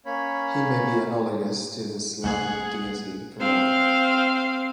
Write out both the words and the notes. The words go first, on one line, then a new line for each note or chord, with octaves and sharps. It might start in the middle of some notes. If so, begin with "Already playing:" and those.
He may be analogous to the Slavic deity Perun.
A#3 C#4 C#5 B5
C2 A3 A#3 G#4 F#5
C4 F5